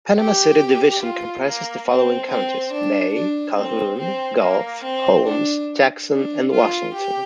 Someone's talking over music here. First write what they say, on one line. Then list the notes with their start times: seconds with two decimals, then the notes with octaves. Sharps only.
Panama City Division comprises the following counties: Bay, Calhoun, Gulf, Holmes, Jackson, and Washington.
0.17 G4
1.02 F4
1.44 A#3
1.87 C4
2.29 C4
2.71 D4
3.13 D4
3.56 C4
3.98 C4
4.40 A#3
4.82 C4
5.25 D4
6.09 D4
6.51 F4
6.93 G4